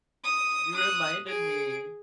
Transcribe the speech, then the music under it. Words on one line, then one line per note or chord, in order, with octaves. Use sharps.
You reminded me.
D#6
D#6 F#6
G#4 D7